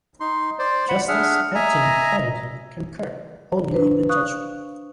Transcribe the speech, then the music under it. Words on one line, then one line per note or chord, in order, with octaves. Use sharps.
Justice Anthony Kennedy concurred only in the judgment.
D#4 C6
C5 D5
F#5 B5
D4 G#4 E5 F#5 F6
D#5 E5 G#5 A#5
D4 B4 C5
F5 C#6 D#6 F#6